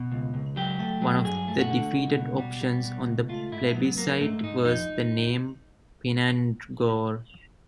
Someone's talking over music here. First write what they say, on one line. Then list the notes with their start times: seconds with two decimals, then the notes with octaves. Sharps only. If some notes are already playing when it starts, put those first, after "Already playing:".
One of the defeated options on the plebiscite was the name Penetangore.
Already playing: B2
0.12 C#2
0.34 C#2
0.56 F#3 G4
0.79 A3
1.02 F#3
1.24 G2 G#4
1.48 A3
1.59 F#4
1.70 D3
1.93 C#2
2.15 B2
2.38 G3
2.61 G3
2.84 B2
3.06 C#2
3.29 A3 F4
3.52 G#2 E4
3.75 F#3 B3
3.97 F#3 A#3
4.20 G#2 A3
4.43 G#2 D#4
4.65 F2 D#4